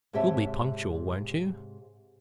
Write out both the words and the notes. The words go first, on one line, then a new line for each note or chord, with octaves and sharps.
"You'll be punctual, won't you?"
G#2 C3 G4 C#5 E5 A5